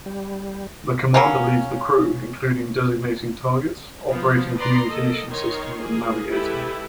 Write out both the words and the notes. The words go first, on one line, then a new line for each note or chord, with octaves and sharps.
The commander leads the crew, including designating targets, operating communication systems and navigating.
G3
F#3 A#3 C#4
F3 B3
B4 D5 A#5 C6
A#3 A4 D#5
D#3 D#4 C#5 C6
A#3 G#4
G#3 E4 G4 A4 B4